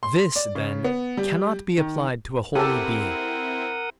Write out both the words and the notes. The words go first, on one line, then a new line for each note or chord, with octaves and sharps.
This, then, cannot be applied to a holy being.
C6
D5
C#3
B3
G3
D#3
C4 E4 G4 A4 A#4 F#5 D#6